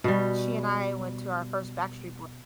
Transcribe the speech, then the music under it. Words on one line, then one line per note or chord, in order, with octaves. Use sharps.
she and I went to our first Backstreet Boy
B2 G3